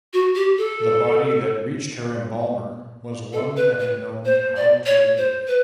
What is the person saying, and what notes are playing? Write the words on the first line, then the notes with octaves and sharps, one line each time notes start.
The body that reached her embalmer was one that had known how to live.
F#4
G4
A4
A4
B4
B4
C5
D5
C#5
C5
B4